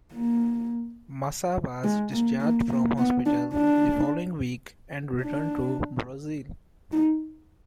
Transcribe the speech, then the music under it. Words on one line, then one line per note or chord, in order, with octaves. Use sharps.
Massa was discharged from hospital the following week and returned to Brazil.
A#3
G#3
A#3
A#3
A#3
B3
D4
D4
D4
D#4